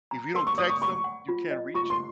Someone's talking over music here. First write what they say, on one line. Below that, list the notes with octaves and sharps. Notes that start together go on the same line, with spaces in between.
If you don't text them, you can't reach 'em.
A#5
A#4 C6
C#6
D5 D#6
C#6
B5 C#6
F#5
F4
D#5
F4 C#6
C6